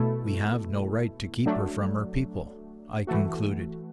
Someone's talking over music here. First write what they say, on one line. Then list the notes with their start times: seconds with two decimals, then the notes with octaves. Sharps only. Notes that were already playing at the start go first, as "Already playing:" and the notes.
"We have no right to keep her from her people," I concluded.
Already playing: B2 A3 E4 A4
1.46 F#3 A3 D4
3.07 E3 A3 F#4